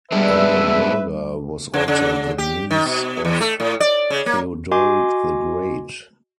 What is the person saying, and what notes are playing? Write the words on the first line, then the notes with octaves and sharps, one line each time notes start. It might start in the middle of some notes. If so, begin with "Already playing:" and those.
Amalberga was also the niece of Theodoric the Great.
G3 G#3 B3 D4 B4 E5
C#3
C#3
G4
D#3
B2
E2
A3
A2
D5
C#3
A#3
F#4 D#5 G#5 C6 D6